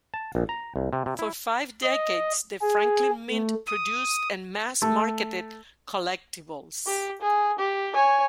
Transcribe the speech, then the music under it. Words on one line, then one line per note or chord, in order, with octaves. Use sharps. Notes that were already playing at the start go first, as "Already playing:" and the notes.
For five decades The Franklin Mint produced and mass marketed "collectibles".
A5
A#1
A#5
C2
C3
C3
E4
D#5
G#4
A3
D#6
A3
G4
G#4
G4
C#5 G#5